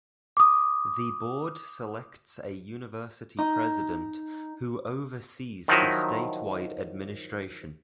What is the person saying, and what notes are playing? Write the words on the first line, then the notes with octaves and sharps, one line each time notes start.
The Board selects a University President who oversees the statewide administration.
D6 D#6
D#4
D#3 F3 F#3 D#4 E4